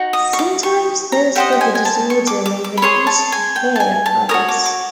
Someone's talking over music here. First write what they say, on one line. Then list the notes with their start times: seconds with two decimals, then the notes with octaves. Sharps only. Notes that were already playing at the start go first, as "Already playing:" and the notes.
Sometimes those with the disorder may even eat the hair of others.
Already playing: D#4 F#4
0.13 D#6
0.33 C#6
0.39 D6
0.63 C#6
1.12 A#5
1.35 G4 C5 D#5 F#5
1.52 G5
1.61 G#5
1.75 G#5
1.85 A5
2.10 C#6
2.27 D6
2.46 D6
2.64 D6
2.77 B5
2.82 G#4 C#5 C6
3.07 A5
3.32 G#5
3.56 G5
3.76 A5
3.80 G#5
4.06 A5
4.29 A#4 C#5 D#6
4.34 F#4
4.49 D6
4.66 D6